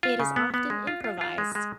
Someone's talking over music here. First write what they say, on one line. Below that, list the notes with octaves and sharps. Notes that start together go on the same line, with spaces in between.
It is often improvised.
F4
C#3
B3
B3
G#3
F4
F4
F4
G#3
G#3